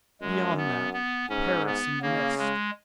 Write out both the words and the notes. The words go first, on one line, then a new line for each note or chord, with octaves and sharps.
Beyond that, Paris in the mist!
F#2 G#3
B3
B3
G#2 C#4
B3
C#3 A#3
G#3